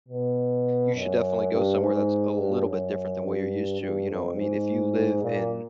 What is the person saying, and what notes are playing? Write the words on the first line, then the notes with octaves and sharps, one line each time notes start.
you should definitely go somewhere that's a little bit different than where you're used to, you know? I mean, if you live in
B2
F#2
G2
G#2
G2
F#2
G2
G2
F2
G#2
A#2